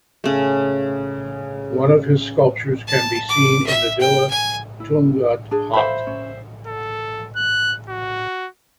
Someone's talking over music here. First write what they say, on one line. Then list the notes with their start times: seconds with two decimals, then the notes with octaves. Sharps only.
One of his sculptures can be seen in the Villa Tugendhat.
0.24 C#3 A3
2.87 A5
3.29 D6
3.66 E5
4.01 G5
4.30 G#5
4.80 E4
5.51 D4 G#4
5.73 A4 C5 E5 F5 B5
6.07 C#4
6.67 A4
7.36 F#6
7.89 F#4